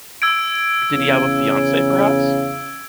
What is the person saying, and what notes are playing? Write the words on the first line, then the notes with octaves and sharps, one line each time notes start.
Did he have a fiancée, perhaps?
E6 G#6 D7
E2 C#3